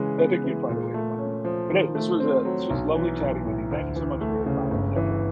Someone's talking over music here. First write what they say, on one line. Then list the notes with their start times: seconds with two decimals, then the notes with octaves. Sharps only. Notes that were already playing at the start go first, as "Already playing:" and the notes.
I think you'd find a way to find them, but, hey, this was, uh, this was lovely chatting with you. Thank you so much for your time and effort.
Already playing: C#3 E3 G#3
0.18 B3
0.44 E3
0.69 A#2
0.94 A3
1.19 C#4
1.45 F3
1.69 D#3
1.95 A3
2.20 C4
2.45 F#3
2.70 B1
2.95 E3
3.20 B1
3.45 A2
3.71 D2
3.96 E3
4.21 A3
4.46 C#3
4.71 G1
4.96 E3